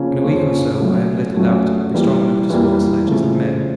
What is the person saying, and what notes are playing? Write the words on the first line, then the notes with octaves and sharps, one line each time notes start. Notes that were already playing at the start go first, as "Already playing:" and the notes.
In a week or so I have little doubt it will be strong enough to support sledges and men.
Already playing: C#3 F3 A#3 C#4 F4
C#3 F3 A#3 C#4 F4
F#3 A3 C#4
F#3 A3 C#4
E3 G3 A#3
E3 G3 A#3
C#3 F3 A3 C4